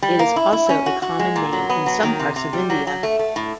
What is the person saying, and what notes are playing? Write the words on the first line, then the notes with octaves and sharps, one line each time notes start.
It is also a common name in some parts of India.
G3
A#3
E4
E4
C#4
F#4
F#4
G#3
A#2
F#3
B3
F#3
D#3
C3
C3
G3
F#3
F#3
A3
A3
A2